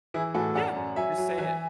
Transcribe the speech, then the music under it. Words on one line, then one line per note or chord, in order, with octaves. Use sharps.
Yeah. Just say it.
E3 E4 G#4
A2 F#4 A4
F#2 D5 F#5
F#2
F#3 E5 G#5
F#3
E3 E5 G#5